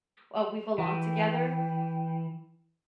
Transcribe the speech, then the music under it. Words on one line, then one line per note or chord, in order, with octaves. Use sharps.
uh, "We Belong Together"
E3 G5